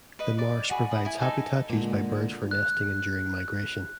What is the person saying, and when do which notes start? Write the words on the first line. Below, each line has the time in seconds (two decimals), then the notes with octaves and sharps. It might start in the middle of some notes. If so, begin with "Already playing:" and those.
The marsh provides habitat used by birds for nesting and during migration.
0.19 B4 D#5
0.38 D5
0.70 F#4 G#4 B5
0.91 B5 D#6
1.05 E4 G#5
1.20 D#4 A4 G#5
1.70 A#2 D3 G#3
2.51 F#6